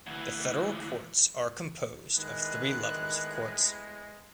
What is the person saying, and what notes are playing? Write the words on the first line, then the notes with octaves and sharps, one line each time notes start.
The federal courts are composed of three levels of courts.
D2 E3
A2 D#3 G#3 B3 F#6